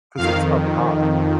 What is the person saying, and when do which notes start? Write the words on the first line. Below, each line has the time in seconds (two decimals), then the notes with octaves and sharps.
'Cause it was probably hot.
0.17 F2 D#3 F5